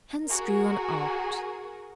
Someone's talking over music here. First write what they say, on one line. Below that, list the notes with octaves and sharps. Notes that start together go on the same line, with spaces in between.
Hence grew an art.
F#4 G#4 A#4